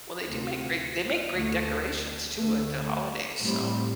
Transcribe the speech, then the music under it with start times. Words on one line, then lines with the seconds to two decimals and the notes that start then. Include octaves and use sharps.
Well, they do make great they make great decorations too at the holidays, so,
0.25 D2 C3 A3 C4
1.31 D2 D3 A3
2.36 D2 D3 A3
3.41 A2 G3 C4